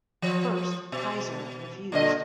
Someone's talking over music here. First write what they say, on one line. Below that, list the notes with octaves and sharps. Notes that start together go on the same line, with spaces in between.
First Kayser refused.
F3
B2
A#2 D3 D#5